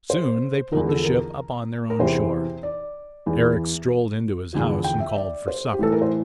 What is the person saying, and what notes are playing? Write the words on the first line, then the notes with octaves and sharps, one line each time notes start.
Soon they pulled the ship up on their own shore. Eric strolled into his house and called for supper.
C5
E2 D3 F3 A#4
A4
A#4
A#4
E2 C3 E3 C5
D5
E2 E3
E2 D3 F3
G5
E5
D5
C5
G4
A2 E3 A4
A#4
C5